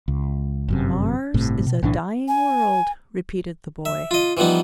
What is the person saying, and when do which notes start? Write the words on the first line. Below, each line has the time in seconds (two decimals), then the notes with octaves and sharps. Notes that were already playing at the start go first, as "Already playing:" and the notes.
"Mars is a dying world," repeated the boy.
0.08 C#2
0.68 G1 F#2 C3
1.34 G1 A2 C3
1.67 B2
1.83 B1 A2 E3 D4
2.28 G#5
3.85 E5
4.11 F4 D#5
4.37 E3 F3 G3 B3 D#4